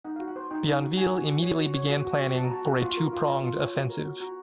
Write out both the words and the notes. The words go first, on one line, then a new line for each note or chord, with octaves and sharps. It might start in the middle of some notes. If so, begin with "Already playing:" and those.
Bienville immediately began planning for a two-pronged offensive.
D#4 F#5
F#4 F5
F#5
C5
D#4 G5
D#4
F#4
F#4 G#5
F#4
F#4
C#5
F#4
C#5
F#4
F#4
F#4
F#4 A5
A#5
F#4 A5
F#4
F4
A#4
F4
A#4
F4
C#5
F#4
A#4
F#4
F#4 A#5